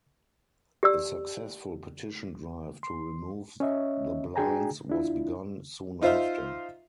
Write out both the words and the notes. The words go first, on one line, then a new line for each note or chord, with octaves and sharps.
A successful petition drive to remove the blinds was begun soon after.
G4 D5 E6
C6
C#4 C#5 D#5 E5
D4 F#4 G#4 G5 G#5 A#5
D4 E4 F4
D#4 F4 C5 E5 F5